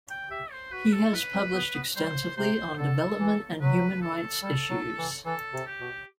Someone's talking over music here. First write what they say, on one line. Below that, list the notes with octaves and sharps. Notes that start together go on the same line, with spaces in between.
He has published extensively on development and human rights issues.
G5
G4 E5
C5
F#4 B4
A4
E4 B4
C4
B3
B3
G3 C5
C3 C5
D3 A4
E3
F#3 B4
A4
G3 A4
F#3
E3
E3 A4
C3
G4
B2